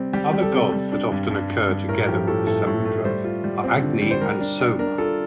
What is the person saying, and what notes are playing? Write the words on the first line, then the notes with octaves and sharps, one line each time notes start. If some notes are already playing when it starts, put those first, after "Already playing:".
Other gods that often occur together with the Samudra are Agni and Soma.
Already playing: C3 G3 C4
G3 G4
G3
A4
C3
G3
D4
G2
G2
G2
G2
A2 A#4
F3 G4
A2 A4
A2 A4
A2
A3
G3 C5
F4
G3
C4
D3
G3
C5
G3 A#4
D4
D4
D4 A#4
F4 A4